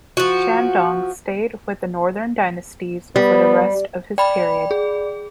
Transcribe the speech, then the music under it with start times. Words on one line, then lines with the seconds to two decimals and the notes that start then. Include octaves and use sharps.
Shandong stayed with the Northern Dynasties for the rest of this period.
0.17 F3 F#4
3.16 G3 B3
4.18 D5 G5 B5
4.71 G#4